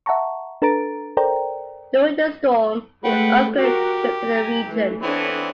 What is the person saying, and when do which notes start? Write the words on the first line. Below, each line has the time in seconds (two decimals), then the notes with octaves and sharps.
During the storm, an earthquake shook the region.
0.06 E5 F#5 A5 A#5 C#6
0.62 D4 A4 B4 A#5 A6 D7
1.17 A4 A#4 C5 D5 G5 A#5
3.04 G#3 A3 B4 F#5 G5
3.58 F#4 G4 A#4
4.31 G#5 A#5
4.65 E3 A3
5.02 E3 B3 C4 D4 A4 C#5